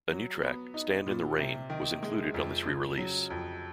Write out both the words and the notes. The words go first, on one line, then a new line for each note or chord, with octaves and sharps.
A new track, "Stand in the Rain", was included on this re-release.
F#3
B3
D#4
A#2
C3
D#3
G#3
F2
C#3
F#3
F2